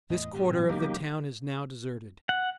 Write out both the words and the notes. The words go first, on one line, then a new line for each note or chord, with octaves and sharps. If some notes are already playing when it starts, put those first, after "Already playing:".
This quarter of the town is now deserted.
E2 A2 D#5
G#2 B2 D3 G4
A#2 F#3 C4
E1 B1 C#3 A#3 D#4 G4
F#5